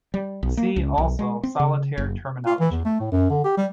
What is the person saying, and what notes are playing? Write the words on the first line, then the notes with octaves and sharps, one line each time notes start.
See also solitaire terminology.
G3
B1
A#3
C#2
B1
G#3
C4
C#3
F#1
F4
E3
E2
A3
A2
F#2
D3
G4
G3